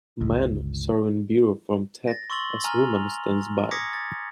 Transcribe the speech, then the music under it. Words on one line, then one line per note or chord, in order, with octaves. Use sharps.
Man serving beer from tap as woman stands by.
G1 C#2
A6 A#6
C6 C#6 E6 A6 F#7 G7
G#5 A#5 F6 F7
D6 D#6 G#6 A#6 B6 C#7
A6